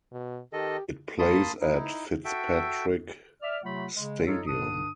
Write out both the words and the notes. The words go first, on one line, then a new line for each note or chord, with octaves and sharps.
It plays at Fitzpatrick Stadium.
B2
D#3 G4 A4 D#5
A#3 A5 B5 C6 D#6
D#4 E4
F#4 A4 E5 G5
D5 E5 F6
C3 F#3 A3 F4 F#5 B5
C#3 G#3
D#4 F4 A4 C#5
G2 D3 D4 D#6